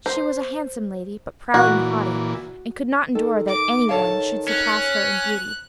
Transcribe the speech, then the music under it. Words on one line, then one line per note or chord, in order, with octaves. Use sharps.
She was a handsome lady, but proud and haughty, and could not endure that any one should surpass her in beauty.
C5
A#2 E3 F#4
D#3 A4
D6
A4 C#5 F5 A5
C#4 F#6